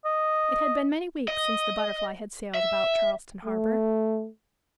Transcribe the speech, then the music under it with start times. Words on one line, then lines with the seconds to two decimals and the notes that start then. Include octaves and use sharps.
It had been many weeks since the Butterfly had sailed about Charleston harbor.
0.05 D#5
1.28 D#5
2.54 E5
3.45 A3